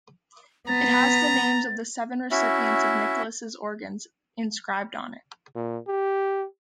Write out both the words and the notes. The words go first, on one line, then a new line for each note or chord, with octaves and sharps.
It has the names of the seven recipients of Nicholas' organs inscribed on it.
B3 A#5 A6
C#4 E4 F#4 E5
A#2
G4